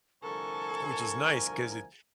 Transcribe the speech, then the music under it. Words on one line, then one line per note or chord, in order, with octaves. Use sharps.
which is nice 'cause it
C2 D3 F3 A3 A4 A#4 G#5 C#6